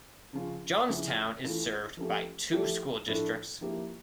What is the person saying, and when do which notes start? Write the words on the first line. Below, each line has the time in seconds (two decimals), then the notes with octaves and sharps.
Johnstown is served by two school districts.
0.33 C#3 F3 C#4 F4
0.88 C#3 F3 C#4 E4
1.43 E3 A3 C#4 F4
1.97 F3 A3 C#4 G4
2.52 F3 A3 E4 G4
3.07 A2 F3 A3 D4
3.61 F3 A#3 E4 G4